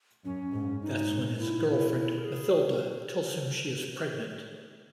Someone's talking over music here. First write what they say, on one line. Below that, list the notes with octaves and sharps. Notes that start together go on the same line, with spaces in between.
That's when his girlfriend, Mathilde, tells him she is pregnant.
F#2 C#4
G#2
G#2 D#4
A#2
A#2 E4
B2 E4
A#4
G#4